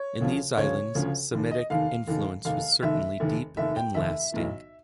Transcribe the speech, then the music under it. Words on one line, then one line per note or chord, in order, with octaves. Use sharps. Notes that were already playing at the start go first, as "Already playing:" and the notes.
In these islands Semitic influence was certainly deep and lasting.
Already playing: C#5
D2 C#3 F3
D2 C#3 F3 C#5
D2 C#3 F3
F1 D#2 D#3
D#5
F1 D#2 D#3 F5
F1 D#2 D#3
F1 D#2 D#3 F5
F1 D#2 D#3 E5
F1 D#2 D#3
F1 D#2 D#3 E5
G5
F1 D#2 D#3 E5
B1 A2 E3